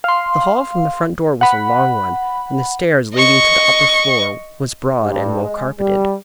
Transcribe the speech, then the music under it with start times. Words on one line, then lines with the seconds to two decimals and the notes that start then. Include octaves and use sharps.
The hall from the front door was a long one, and the stairs leading to the upper floor was broad and well carpeted.
0.04 F5 C6
1.41 F#5 B5
3.14 D#5 C#6
5.02 G2
5.43 G#3
5.78 G3